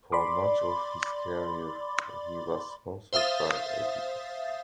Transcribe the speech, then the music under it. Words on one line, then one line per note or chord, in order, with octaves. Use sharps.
For much of his career he was sponsored by Adidas.
D5 B5 C6 D6
C5 E5 F5 D#6 A6